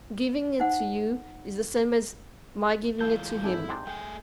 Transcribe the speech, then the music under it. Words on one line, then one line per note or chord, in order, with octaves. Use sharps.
Giving it to you is the same as my giving it to him.
D#4 C5 F#5
E3 G#3 F4 A4 G6
G#1 G#2 D4 E4 A4 G#5
G#2 C3 D4 C6
A3 G#4 G5 G#5